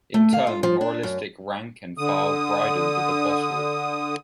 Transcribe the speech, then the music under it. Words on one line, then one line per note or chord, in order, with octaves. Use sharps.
In turn the moralistic rank and file bridled at the boss rule.
A3
F5
F4
F3
D4
F#2
D3 D#6